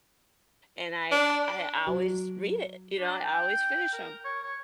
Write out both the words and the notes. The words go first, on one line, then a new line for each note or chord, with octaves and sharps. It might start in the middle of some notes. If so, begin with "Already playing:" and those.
and I I always read it, you know? I always finish 'em.
D4
F#3
D4
G5
A#4
C#5
C#5